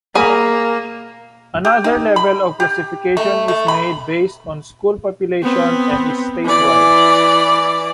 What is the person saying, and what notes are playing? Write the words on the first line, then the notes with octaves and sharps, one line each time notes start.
Another level of classification is made based on school population and is statewide.
A#3 G#4 B5
G4
D#4
B5
G4
A3
A3
B5
B3 C4
E3 D5